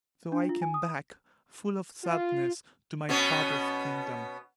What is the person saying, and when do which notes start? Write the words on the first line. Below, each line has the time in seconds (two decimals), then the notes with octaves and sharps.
So I came back, full of sadness, to my father's kingdom.
0.32 D4
0.49 F4
0.62 G#5
0.74 D#6
2.05 F4
3.09 B2 B3 C#4